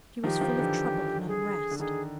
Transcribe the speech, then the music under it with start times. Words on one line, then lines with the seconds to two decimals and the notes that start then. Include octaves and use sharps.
She was full of trouble and unrest.
0.24 D#3 F3 G4
0.41 D#3 F3
0.59 D3 E3
1.28 G#4
1.71 D3
1.80 D#3 G#4